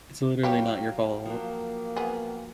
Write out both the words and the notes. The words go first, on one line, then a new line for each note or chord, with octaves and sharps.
It's literally not your fault.
F#3 G4 C#5 F5 G5
F3 F#3 A#3
B3 G#4